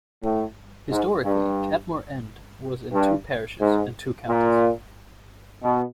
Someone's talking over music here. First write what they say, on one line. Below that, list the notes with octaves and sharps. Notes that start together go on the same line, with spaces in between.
Historically Cadmore End was in two parishes and two counties.
A2
G#2
G2
G2
G#2
A#2
B2